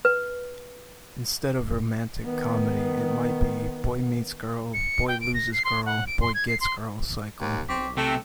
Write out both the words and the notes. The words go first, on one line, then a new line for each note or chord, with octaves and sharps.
Instead of "romantic comedy" it might be "Boy-meets-girl-boy-loses-girl-boy-gets-girl" cycle.
B4
D#3 B3
C#7
G5
D7
A#6
C7
C6
F#5
D7
C6
G#6
C7
C6
D#2
B1 C4 C#6 D6 B6
C3 A3 G5 C#7 G7